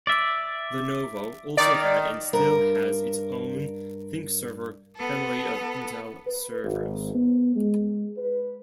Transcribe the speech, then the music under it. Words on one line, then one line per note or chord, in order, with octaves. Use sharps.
Lenovo also had and still has its own ThinkServer family of Intel servers.
D5 E5
D#3 D5
G2 A#4
B3 A4
B4
G#1
B3
G#3
B4